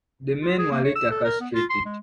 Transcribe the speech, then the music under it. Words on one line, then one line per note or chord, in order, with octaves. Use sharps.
The men were later castrated.
F4
G#4
A#3
C#5
E6
A4
A#4
B3
F4
C6
G#3